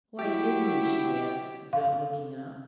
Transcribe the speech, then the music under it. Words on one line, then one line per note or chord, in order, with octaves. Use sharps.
"Why didn't you?" she asked, without looking up.
F#3 E4 G4
A4 F5